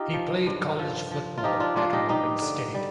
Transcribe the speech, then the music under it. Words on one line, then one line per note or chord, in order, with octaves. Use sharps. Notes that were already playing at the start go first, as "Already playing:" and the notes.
He played college football at Morgan State.
Already playing: D#4 F4 G4
F3
G2
F3
F3
F4
F3 D#4 G4
D4 F4
F3 D4 F4
D#4 G4
G2 D#4 G4
D3
G3